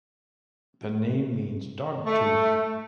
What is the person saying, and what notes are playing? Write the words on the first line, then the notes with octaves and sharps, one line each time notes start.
The name means dog-tooth.
A3